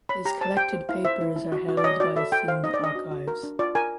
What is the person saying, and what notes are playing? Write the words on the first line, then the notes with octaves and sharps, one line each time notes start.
His collected papers are held by the Sindh Archives.
C#5 B5
G4 A#5
C5 A5
G4 G5
C5
E4 F5
C5 E5
E4
E4
F#4
F#4
D5
C#5 D#5
F#4 D5
A4 E5
A4 G5
C5 F5
D#4 D#5
D5
D4 D#5
F#4
F#4
A#4
D4
F4 D5
A#4 G#5